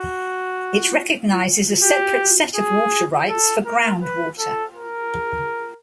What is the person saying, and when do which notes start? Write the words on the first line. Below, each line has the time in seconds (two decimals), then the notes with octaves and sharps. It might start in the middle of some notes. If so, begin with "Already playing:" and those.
It recognizes a separate set of water rights for groundwater.
Already playing: F#4
1.83 G4
2.56 G#4
3.30 A4
3.66 A#4
4.03 B4
4.39 A4
4.76 A#4